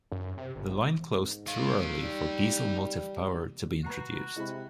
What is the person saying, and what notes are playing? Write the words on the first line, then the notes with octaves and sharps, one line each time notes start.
The line closed too early for diesel motive power to be introduced.
F#2
C3
G1
G#2
D#4 F5
G3
F#4 B4 A#5 C7
C3 G#3 E4 B5